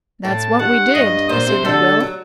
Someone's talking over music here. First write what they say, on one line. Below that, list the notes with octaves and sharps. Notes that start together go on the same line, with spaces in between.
"That's what we did," asserted Will.
A2 A5
G2 F#5
G2 D#5
A#2 C5
C3
D2 D3 A4
F#3